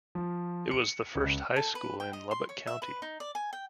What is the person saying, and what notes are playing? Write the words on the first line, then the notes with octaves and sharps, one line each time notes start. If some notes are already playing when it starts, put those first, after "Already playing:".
It was the first high school in Lubbock County.
F3
C#7
C#2
A4
B4
G5
D#5
C6
C#5
E5
B4
D#4
D5
G#5
G5